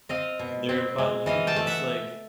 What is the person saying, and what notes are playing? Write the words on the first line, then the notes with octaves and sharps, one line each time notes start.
uh, they're in part you ca it's, like
C4 D#5 F5
B2
C4
G#3
E3 D#5 F5
G5 A5
A3
E5 F#5